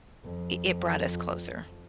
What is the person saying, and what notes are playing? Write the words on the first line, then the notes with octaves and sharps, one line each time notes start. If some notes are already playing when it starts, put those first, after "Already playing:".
it it brought us closer.
F2 F3